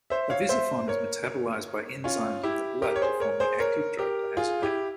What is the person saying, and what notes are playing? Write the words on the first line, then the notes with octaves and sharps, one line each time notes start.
Avizafone is metabolised by enzymes in the blood to form the active drug diazepam.
C5 E5
C#5 F5
C5 E5
A#4 C#5
C#4 F4
E4 G4
G4 A#4
C#5
G#4 C5
A#4 C#5
G#4 C5
A#4 C#5
G4 A#4
F4 G#4
E4 G4